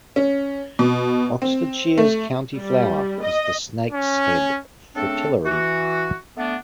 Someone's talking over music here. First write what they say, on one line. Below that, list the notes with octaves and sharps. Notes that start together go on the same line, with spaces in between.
Oxfordshire's county flower is the snake's-head fritillary.
C#4
B2
C4
A3
G3
D#5
C#4
C#3 A3 C4 D4 A4
E3 F#4
A3 B3 D4